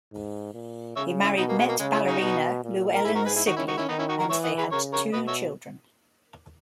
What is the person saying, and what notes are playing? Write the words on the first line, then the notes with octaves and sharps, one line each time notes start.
He married Met ballerina Louellen Sibley and they had two children.
G#2
A#2
C#3 C#5 E5
C#4 E4
B2 B3 D#4
A#3
G#3
A#3
C#3 G#3
C#4 E4
D#4 F#4
B2
A#2
A#4
G#2 E4 G#4
F#4 A#4
G#4 B4
E4 G#4
D#3 D#4 F#4
C#4 E4
D#4 F#4
C#4 E4
D#3 B3 D#4
C#4 E4
D#4 F#4
F#4 A#4
E3 C#5 E5
D#5 F#5
G#4 B4
C#3 A#4 C#5
A#4 C#5
B2 B4 D#5
C#5 E5